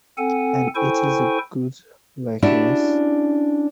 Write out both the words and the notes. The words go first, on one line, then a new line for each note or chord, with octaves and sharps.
And it is a good likeness?
C4 A4 F#5 G#5
E4 A4 C5 G5 G#5 C#6
C#4 D4 E4 F#4 G4 D5